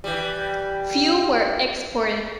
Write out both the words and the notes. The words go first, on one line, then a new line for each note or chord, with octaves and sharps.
Few were exported.
E3 G3